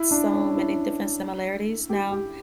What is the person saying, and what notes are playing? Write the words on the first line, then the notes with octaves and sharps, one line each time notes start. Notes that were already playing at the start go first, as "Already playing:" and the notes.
so many different similarities now.
Already playing: E4
D4
C#4
E4
G4
G4